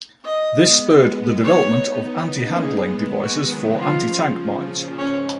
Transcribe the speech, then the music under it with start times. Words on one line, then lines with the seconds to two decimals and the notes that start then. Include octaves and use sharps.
This spurred the development of anti-handling devices for anti-tank mines.
0.25 D#5
0.54 G#3 B3
1.43 B3 D#4 C#5
1.73 B3 D#4
2.03 B3 D#4
2.32 A#3 C#4
2.61 G#3 B3 G#4
3.20 D#3 F#3 F#4
3.51 C#3 F3
3.80 F4
4.39 C#3
4.68 A#2
4.98 G#2 C#4